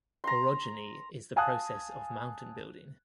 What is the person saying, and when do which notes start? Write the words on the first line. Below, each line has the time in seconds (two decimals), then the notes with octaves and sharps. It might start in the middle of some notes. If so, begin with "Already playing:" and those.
Orogeny is the process of mountain building.
0.24 A#5 C6
1.36 F5 G#5 A5 D#6 F#6